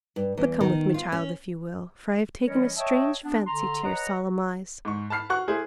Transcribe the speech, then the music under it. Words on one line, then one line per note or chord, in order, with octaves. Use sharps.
But come with me, child, if you will, for I have taken a strange fancy to your solemn eyes.
G2
E2
D#3
F4
C#4
E3 G3 C#4 A#4 C#5 D#5
C#5 D#5 E5 G5 A5 C#6
B3 D4
D3 A#5 C6
B4 C#5 D#5 F#5 A#5
G#2 C#6
A5 B5 F6 C7
F#4 F#5 C#6 F#6
A3 E4 G#4 C5